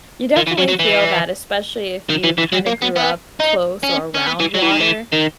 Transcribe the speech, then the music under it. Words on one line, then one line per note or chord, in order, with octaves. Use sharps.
You definitely feel that, especially if you kinda grew up close or around water,
D#3
E3
F#3
F#3
E3
D#3
E3
E3
F#3
A#3
B3
B3
D#4
C#4
C#4
B3
E3
F#3
E3
D#3
E3
D#3